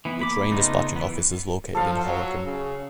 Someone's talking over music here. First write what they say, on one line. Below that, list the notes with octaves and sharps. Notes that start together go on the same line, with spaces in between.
The train dispatching office is located in Horicon.
E3 B3
A#3 B5 D6
C#3 A3 B3 D#4 F4
E3 B3
F3 A4 F5
F#3
C#3